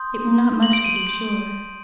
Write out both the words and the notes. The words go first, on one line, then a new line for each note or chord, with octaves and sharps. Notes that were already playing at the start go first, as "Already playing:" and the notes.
It were not much to be sure.
Already playing: C6 D#6 G6
F#7
D7
D#7
F#7
C6 G6 D7